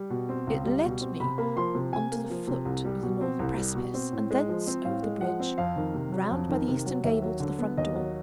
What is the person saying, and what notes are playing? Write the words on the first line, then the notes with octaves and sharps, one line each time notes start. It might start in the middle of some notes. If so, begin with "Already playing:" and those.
It led me on to the foot of the northern precipice, and thence over the bridge, round by the eastern gable to the front door.
Already playing: G3
B2
C4
C#2
G3
B2
C4
C3 B5
A#3 B5
F3 C6
C3
C3 G#5
A#3
F3
C3
C2
G3
B2
C4
C2
G3
B2
C4
A2
G#3
F3
C4
A2 F5
G#3
F3 F#5
C4
F2 F5
D#3
C3
F#3
F2
D#3
C3
F#3
D#2 E5
F#3
D3
B3
D#2 D#5
F#3